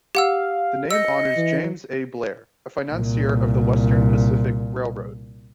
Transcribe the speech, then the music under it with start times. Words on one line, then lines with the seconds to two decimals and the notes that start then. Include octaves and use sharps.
The name honors James A. Blair, a financier of the Western Pacific Railroad.
0.15 G4 F5 F#5 E6
0.91 D#5 E6 C#7
1.37 E3
2.90 C2 A#2